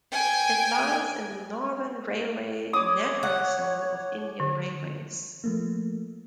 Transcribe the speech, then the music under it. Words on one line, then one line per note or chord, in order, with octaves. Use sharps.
It lies in the Northern railway network zone of Indian Railways.
G5 G#5
C#5 D6 D#6
F#5
D3
F3 A3 A#3